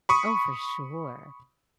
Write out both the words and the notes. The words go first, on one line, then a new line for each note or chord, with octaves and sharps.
Oh, for sure.
B5 C#6 D#6